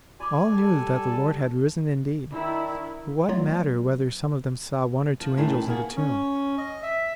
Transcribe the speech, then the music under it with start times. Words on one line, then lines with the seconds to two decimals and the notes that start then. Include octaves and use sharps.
All knew that the Lord had risen indeed: what matter whether some of them saw one or two angels in the tomb?
0.20 F#4 D5 G#5 B5 D6
0.53 G3 A4
2.32 D#3 D4 E4
3.29 F#3 A3 B3 F4 C#5 D5
5.21 F3
5.37 A2 D#3 E3 G3 C#4
5.68 A#3 B3 F#4 G#4
5.96 C#4
6.58 D#5
6.83 E5